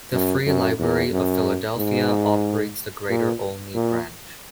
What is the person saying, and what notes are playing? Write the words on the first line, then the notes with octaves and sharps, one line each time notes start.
The Free Library of Philadelphia operates the Greater Olney Branch.
F#2
F#2
E2
F#2
G#2
A#2
A#2